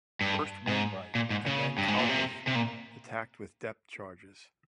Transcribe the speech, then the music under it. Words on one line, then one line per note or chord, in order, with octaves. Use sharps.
First "Wainwright" and then "Calpe" attacked with depth charges.
G2
G#2
A#2
G#2
C#3
G2
G#2
A#2
C3
C3
A#2